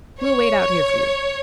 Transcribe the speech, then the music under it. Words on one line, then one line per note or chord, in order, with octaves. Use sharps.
"We'll wait out here for you."
C#5